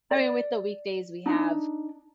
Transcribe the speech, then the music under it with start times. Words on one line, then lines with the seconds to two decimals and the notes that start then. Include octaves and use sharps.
I mean, with the weekdays we have
0.11 D5
1.26 D4 D#4